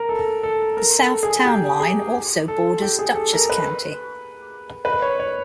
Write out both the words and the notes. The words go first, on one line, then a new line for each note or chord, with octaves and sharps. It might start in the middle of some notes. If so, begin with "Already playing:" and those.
The south town line also borders Dutchess County.
Already playing: A#4
A4
A4
A#4
A4
G#4
G4
G#4
A4
G4
G#4
A4
A#4
B4
B4
C#5
C#5